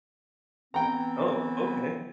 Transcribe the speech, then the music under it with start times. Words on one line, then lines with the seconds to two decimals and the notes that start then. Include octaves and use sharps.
Oh, okay.
0.74 E3 B3 C4 G5 A#5